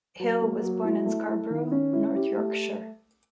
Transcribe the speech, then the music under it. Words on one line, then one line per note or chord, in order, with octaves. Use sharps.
Hill was born in Scarborough, North Yorkshire.
F#3
A#3
F#3
E4
A3
E4
D#3
C#4
E4
G4
A3